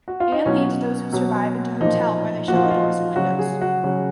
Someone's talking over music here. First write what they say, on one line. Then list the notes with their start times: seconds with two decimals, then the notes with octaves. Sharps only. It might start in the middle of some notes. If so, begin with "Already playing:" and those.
Anne leads those who survive into hotel, where they shut the doors and windows.
0.08 F#4
0.20 F4
0.32 D#4
0.46 B2 F#3 C#4
1.13 B2 F#3
1.81 A#2 F3 D#4
2.48 A#2 F#4
2.52 F3 F4
2.63 D#4
2.71 F4
3.16 C#3 F#3 F#4
3.39 G#4
3.61 F#4
3.84 C#3 F#3